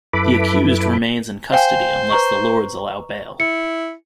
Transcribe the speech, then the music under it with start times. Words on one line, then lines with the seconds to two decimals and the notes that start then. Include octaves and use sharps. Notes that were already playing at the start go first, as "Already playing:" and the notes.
The accused remains in custody unless the Lords allow bail.
0.13 F#2 E4 A4 B4 B5 D6
1.53 C5 F5 G5 G#5
2.10 B4 A#5 C#6
3.40 E4 C#7